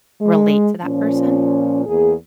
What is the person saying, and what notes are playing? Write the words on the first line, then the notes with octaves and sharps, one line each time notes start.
relate to that person,
G#3
A#2 F3 C#4
E2 A#3 G#4